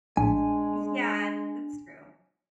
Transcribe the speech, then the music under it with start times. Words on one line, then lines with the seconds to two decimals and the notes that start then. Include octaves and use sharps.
Yeah, that's true.
0.17 A#1 A2 G#3 D4 G#5